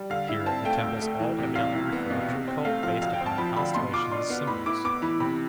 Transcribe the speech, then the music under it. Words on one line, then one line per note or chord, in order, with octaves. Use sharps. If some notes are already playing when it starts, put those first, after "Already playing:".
Here the temples all evidently refer to a cult based upon the constellations as symbols.
Already playing: G3
D3 F5
E4 E5
C4 A5
A3 G5
D2
A3
E3
C3
C2 F5
E4
B3
B2
C3
C4
A3 F5
F3 F5
D2 F5
G5
C4
A5
F3 B5
D3 B5
B2 C6
F4 D6
D4 C6
B3
A2 B5
E4 D6
B3 D6
E3 B5
C3 B5